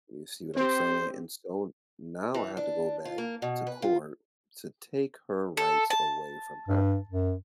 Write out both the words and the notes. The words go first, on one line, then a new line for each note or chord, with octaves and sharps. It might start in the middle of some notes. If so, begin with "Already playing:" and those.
You see what I'm saying? And so now I have to go back to court to take her rights away from her.
C4 G4 C5
E3
D4
F4
A#3
B2
B4
F4
A4
A5
G2
F#2